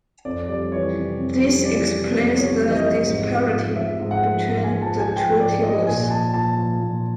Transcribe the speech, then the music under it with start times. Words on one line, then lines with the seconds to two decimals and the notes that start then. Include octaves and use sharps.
This explains the disparity between the two tables.
0.25 F2 D5
0.48 G3 D5
0.72 E3 C#5
0.95 C3
1.19 F2
1.42 G3
1.65 E3 D5
1.89 C3
2.12 F2
2.36 G3 C#5
2.59 E3
2.71 D#5
2.83 C3
3.06 G#2
3.29 F3
3.52 G#2
3.76 F3 E5
3.99 G#2
4.11 F#5
4.23 F3
4.46 G#2
4.64 G#5
4.70 F3
4.81 A5
4.93 G#2
4.99 G#5
5.16 F3 G5
5.40 G#2 D5
5.63 F3 D#5
5.86 A#2 G#5
6.10 F3 A5
6.34 A#2 A5
6.57 F3
6.80 A#2